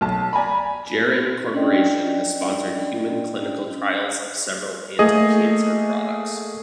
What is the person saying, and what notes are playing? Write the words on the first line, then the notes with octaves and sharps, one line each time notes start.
Geron Corporation has sponsored human clinical trials of several anti-cancer products.
B1 A5
D5 G#5 A#5 B5
C#4 D4 D5 D#5 G5
A3 A#3 G#4 D#5